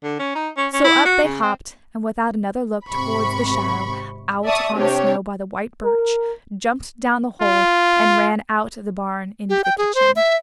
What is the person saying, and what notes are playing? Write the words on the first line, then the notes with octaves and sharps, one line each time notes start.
So up they hopped, and without another look towards the shadow out on the snow by the white birch, jumped down the hole, and ran out of the barn into the kitchen.
D3
C#4
D#4
C#4
C#4
E4
F#4
C#3
C4
G#1 C3 B5 C#6
D5 E5 A5 C#6 D#6
C3 D4 G4 C#5
A#4
F4
G4
G5
G#4
C5
E5